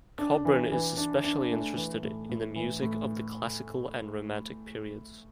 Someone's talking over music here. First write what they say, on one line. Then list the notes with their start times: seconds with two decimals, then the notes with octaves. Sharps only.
Kobrin is especially interested in the music of the classical and romantic periods.
0.19 D4
0.45 E3
0.72 E3
0.97 D4
1.24 D4
1.51 A3
1.76 E3
2.03 A2
2.29 A2
2.56 E3
2.82 A2